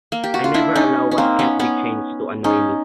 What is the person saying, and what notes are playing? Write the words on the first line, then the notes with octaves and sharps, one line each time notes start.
I never allow what can't be changed to annoy me.
A#3
G4
F#4
F4
D4 E4
C#4 D#4
C#4
A#3 C4
B3 C#4
B3 C#4
C#4 D#4